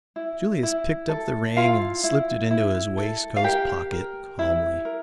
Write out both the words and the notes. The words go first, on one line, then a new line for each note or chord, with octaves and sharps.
Julius picked up the ring and slipped it into his waistcoat pocket calmly.
E4
E4
A4
E4 F4 F5
E4
E4
A4
F5
G4 A#4 G5
A#4
E4
A#4